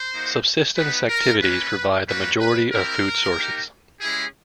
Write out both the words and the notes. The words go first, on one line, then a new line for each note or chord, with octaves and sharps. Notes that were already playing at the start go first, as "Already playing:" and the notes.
Subsistence activities provide the majority of food sources.
Already playing: C5
A#3 D#4 F#4
B3 D#4 G4 B4
A#4
A#3 C#4 F4 B4
G3 A#3 C#4 F#4 B4
B4
C4 E4 G4 A#4
A#3 D#4 G4
G#3 C#4 E4 G4 G#4